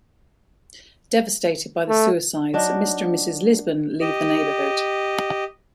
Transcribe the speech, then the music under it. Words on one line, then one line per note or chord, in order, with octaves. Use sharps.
Devastated by the suicides, Mr. and Mrs. Lisbon leave the neighborhood.
A3
F#3 D4 D#4
G4 D#5